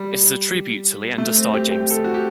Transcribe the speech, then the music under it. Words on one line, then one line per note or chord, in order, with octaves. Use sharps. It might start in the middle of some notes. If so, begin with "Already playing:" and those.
It is a tribute to Leander Starr Jameson.
Already playing: G3
A3
C4
G4
G4
A4
F#4
G4